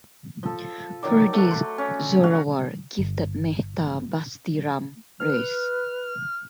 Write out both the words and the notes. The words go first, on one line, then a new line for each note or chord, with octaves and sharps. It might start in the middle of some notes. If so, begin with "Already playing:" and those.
For this Zorawar gifted Mehta Basti Ram Rs.
F3 A4
D#3 F#3 D5
A3 F#4
C5
C#4
F#4 F5
G1
B4 F6